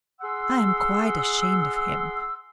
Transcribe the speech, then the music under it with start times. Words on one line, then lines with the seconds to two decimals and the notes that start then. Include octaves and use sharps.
I am quite ashamed of him.
0.21 G#4 F#5 C6 E6